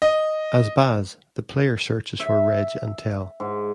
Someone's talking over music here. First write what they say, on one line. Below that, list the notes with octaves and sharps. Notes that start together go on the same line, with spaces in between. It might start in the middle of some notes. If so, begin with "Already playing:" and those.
As Baz, the player searches for Reg and Tel.
D#5
E5
G#2